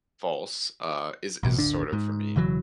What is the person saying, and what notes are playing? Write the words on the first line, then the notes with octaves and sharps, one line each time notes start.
false, uh, is is sort of, for me,
A1 B2
D1 G1 D3 D4
G#2
E1 C#3 E3 F#3